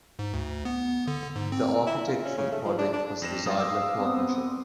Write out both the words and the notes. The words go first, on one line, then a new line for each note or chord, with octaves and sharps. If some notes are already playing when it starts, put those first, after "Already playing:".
The architect for the project was the Zeidler Partnership.
G#2
D2
B3
D3
G#2
C4
E4
F4
C#4
C#3
A3
F3
D4
D4
F2 A#6 E7
F#2 G3 F5 D#6
D6 E6
B3 C4